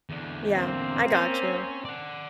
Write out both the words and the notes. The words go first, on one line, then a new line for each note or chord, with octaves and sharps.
Yeah. I got you.
E2 D3
A#3 C4
C#4
D5 F#5